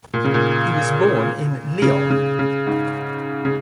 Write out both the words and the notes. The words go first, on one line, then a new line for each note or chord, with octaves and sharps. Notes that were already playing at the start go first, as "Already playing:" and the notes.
He was born in Lyon.
A#2
C#3
A#2
C#3
C#3
C#3
G#2
C#3